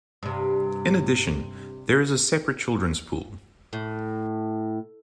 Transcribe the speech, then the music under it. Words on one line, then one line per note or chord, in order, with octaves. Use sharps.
In addition, there is a separate children's pool.
G2 C3
A2